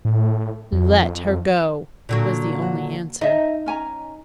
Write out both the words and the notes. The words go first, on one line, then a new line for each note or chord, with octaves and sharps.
"Let her go," was the only answer.
A2
F2
A#2 D3 F#3
F#4
D#4 D#5 E5 A5
C#4 G#5 A#5